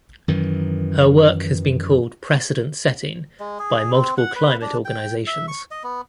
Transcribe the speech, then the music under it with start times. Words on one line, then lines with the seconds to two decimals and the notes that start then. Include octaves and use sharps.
Her work has been called "precedent setting" by multiple climate organizations.
0.28 F#2 D#3 E3
3.40 G#3
3.59 G#4
3.93 C4
4.18 F#5
4.36 B4
4.62 D4
4.85 G5
5.27 E5
5.48 C#6
5.71 D#5
5.83 B3